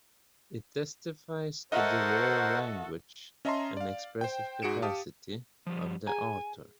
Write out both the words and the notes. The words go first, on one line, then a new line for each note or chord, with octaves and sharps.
It testifies to the rare language - and expressive capacity - of the author.
F#4 A4 A#4 C5 D#5 E5 F#5
C#4 D#5 E5 A5 A#5 C6
D5 F5
C5 G5
G#2 F#4 G#4 C#7 D7 E7
G4 F5 A5 D#6
F3 G3
G#4 F#5 G#5 A#5